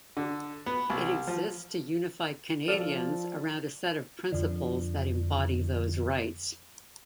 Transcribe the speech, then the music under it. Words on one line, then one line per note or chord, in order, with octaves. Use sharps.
It exists to unify Canadians around a set of principles that embody those rights.
D3
B3
C2
F3
F3 A4 D5 F6
F2 D3